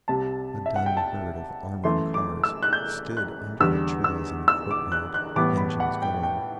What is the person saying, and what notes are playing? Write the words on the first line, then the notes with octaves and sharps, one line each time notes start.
A dun herd of armoured cars stood under the trees in the court-yard, engines going.
C2 C3 G3 A5
E5
F#5
G5
A5
F#2 E3 A3 C6
D6
E6
F#6
G6
F#6
E2 D3 G3 E6
E6
E6
D6
F#6
F#6
A2 E3 G3 B3 D6
B5
F#5
G5
G5